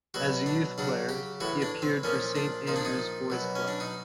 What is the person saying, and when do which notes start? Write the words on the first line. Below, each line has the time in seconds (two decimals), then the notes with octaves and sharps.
As a youth player, he appeared for Saint Andrew's Boys' Club.
0.14 B2 F#3 F#4
0.46 D4
0.78 C#3 F#3 D4
1.09 G4
1.40 A2 E3 F#4
1.62 D4
1.82 C4
2.03 A#2 F3 C#4
2.36 D4
2.67 A#2 F3 D#4
2.76 D4
2.85 D#4
3.30 B2 F#3
3.55 C#4
3.68 D4
3.80 D#4